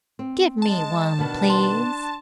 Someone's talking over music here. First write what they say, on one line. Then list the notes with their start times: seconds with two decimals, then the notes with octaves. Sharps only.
"Give me one, please."
0.19 C4
0.62 G#3 A5
1.19 B2 D#3 B3 D4
1.50 A5 C6